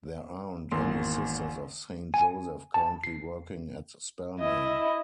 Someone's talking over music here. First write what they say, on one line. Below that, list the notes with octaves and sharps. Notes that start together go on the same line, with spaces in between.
There aren't any Sisters of Saint Joseph currently working at Spellman.
G#1 E2 A#3 C6
G#5
A5
C7
E4 D#5